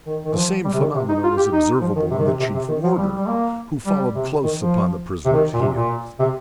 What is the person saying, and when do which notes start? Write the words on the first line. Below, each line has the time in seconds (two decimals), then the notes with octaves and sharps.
The same phenomenon was observable in the chief warder, who followed close upon the prisoner's heels.
0.07 D#3
0.25 D#3
0.35 F3
0.64 G3
0.73 C3
0.80 D#3
0.95 C3
1.09 D#4
1.24 F4
1.38 G4
1.53 D#4
1.81 F3
1.96 D#3
2.11 C3
2.19 D#3
2.25 C3
2.40 C3
2.54 C3
2.69 D#3
2.84 F3
2.98 G3
3.16 G3
3.27 A#3
3.86 G3
4.15 C3
4.44 D#3
4.59 F3
5.25 C3
5.33 D#3
5.53 A#2
5.61 C3
5.75 A#2
6.20 C3